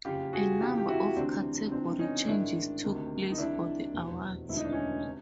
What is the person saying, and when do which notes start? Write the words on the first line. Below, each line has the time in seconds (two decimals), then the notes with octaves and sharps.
A number of category changes took place for the awards.
0.05 F#1 F2 C#3 F4 G4
0.33 F#4 G#4
0.60 C#2 C3 E3 F4 G4
0.78 G4
0.88 E4 F#4
1.16 D2 C3 E3 C4 D4
1.71 C#2 C3 E3 C4 D4
1.99 C#4 D#4
2.27 A1 G#2 D#3 D4 E4
2.83 D2 C3 D#3
3.31 D#4
3.38 C2 C3 D#3 D4 E4
3.93 F1 E2 B2
4.49 E1 D2 C3 D#3 E4
4.56 D#4
4.65 D4
4.72 C#4 D#4
5.06 C3